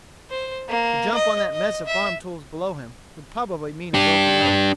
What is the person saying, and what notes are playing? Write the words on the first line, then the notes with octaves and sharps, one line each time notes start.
To jump on that mess of farm tools below him would probably mean a broken leg.
C5
A#3
D#5
D#5
E5
D4 G4